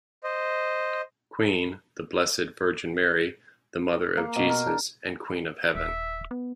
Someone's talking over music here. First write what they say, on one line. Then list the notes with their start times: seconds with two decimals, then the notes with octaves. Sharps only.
Queen: the Blessed Virgin Mary, the Mother of Jesus and Queen of Heaven.
0.24 C5 D#5
4.17 A#3
4.36 B2
4.50 A#4
4.67 D4
5.75 D#1 E5
6.31 B3